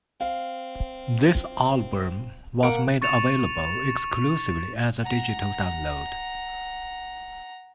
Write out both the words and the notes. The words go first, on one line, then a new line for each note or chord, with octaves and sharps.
This album was made available exclusively as a digital download.
C4 F5
A#3 F#5 D7
C#6 A6 C#7 E7 F7
F#5 A#5